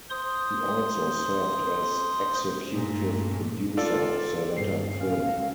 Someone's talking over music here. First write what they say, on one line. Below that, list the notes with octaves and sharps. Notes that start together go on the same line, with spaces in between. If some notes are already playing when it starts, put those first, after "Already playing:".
He also served as executive producer of the latter film.
C5 C6 D#6
G2 A#2 A3
F4 A4 D5
G2 A#2 C#3 C7
C#4 F5
F#4 A4